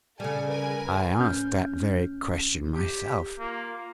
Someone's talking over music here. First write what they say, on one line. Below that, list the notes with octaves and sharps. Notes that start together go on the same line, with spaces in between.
I asked that very question myself.
C#3 G3 A4 G#5
A#4 B4 G#5
A2 C#4 F6 G6
G4
A#3 F4